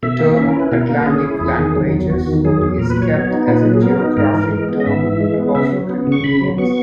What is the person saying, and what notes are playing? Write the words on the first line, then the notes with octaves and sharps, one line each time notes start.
The term "Atlantic languages" is kept as a geographic term of convenience.
B2 E5
A#3
C#4 E5
A#4
E4 B4
B2 A#4
A#3
A#4
C#4 G#4
E4
E2
D#3
F#3
E2
E2 F#4
D#3
F#3 G#4
E2
A#2 A#4
B4
F#3
C#5
B3
D#4
A#2 B4
F#3
G#4
B3 A#4
D#4
G#2 A#4
E3
G#3
B3
D#5
G#2 E5
E3
G#3
B3
C#3 E5
F#3
B3
C#3 C#6
C#3 B5
F#3
B3 C#6